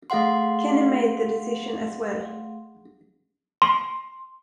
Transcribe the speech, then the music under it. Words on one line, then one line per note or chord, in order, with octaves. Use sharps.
Kenny made the decision as well.
A3 G#4 F5 F#5 C6
C6